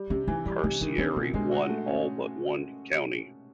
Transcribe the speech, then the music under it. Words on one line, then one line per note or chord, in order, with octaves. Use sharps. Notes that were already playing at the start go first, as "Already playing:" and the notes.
Carcieri won all but one county.
Already playing: G3
C3 C#4
E3 D#4
G3 E4
C3 D#4
D#3 D4
C4 D4
B2 D#4
G#3 D4
F#4
A3
C#4